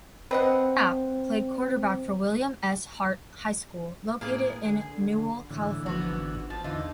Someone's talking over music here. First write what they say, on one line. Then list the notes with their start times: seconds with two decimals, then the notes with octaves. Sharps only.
Kapp played quarterback for William S. Hart High School, located in Newhall, California.
0.31 C4 B4 D#5 F#5
4.21 A2 A#3 B3 G#4
4.65 D3 G#4
5.51 A2 D3 E3
5.86 G#1 B3 F#4
6.50 F3 A5
6.64 E2 D3 E3 D#4 F4